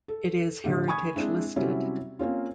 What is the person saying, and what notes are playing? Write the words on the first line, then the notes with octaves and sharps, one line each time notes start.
It is heritage-listed.
A4
A2 D3 A3 G4
G#5 B5 C#6 D#6 G#6
G#3 C4 D4 E4
C3 F#3 G3 C4 C#4 E4
A#3 C4 C#4 F4